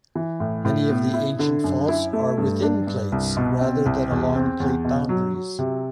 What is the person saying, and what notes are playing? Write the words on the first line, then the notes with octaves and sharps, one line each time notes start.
Many of the ancient faults are within plates rather than along plate boundaries.
E3
A2
A2
B3
E4
D3
F#2
E4
A3
G2
D4
G2
C2
B2
C4
C2
E2
C4
E2
B2
F#3
F#3
C3